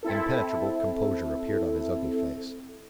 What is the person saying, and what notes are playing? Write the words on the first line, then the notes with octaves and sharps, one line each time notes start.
Impenetrable composure appeared on his ugly face.
C4 E4 A4